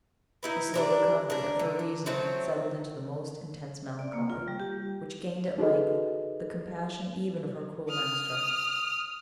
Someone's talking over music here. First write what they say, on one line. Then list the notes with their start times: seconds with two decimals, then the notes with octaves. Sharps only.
The slow recovery of her reason settled into the most intense melancholy, which gained at length the compassion even of her cruel master.
0.43 D#4 E4 B4
0.74 G3 D4 A#4
1.30 D4 A#4
1.59 D3
1.79 D4
2.06 F3 F#3 A3 C4
3.99 D5
4.13 A#3
4.30 F4
4.48 G3
4.60 G4
5.58 D#4 F#4 G#4 A4 B4 D#5
7.90 D#6 F6